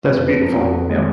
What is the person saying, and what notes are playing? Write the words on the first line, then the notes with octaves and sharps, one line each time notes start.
That's beautiful, yep.
F2 B4
F2 B4
F2 A#4
F2 F#4
F3
G#3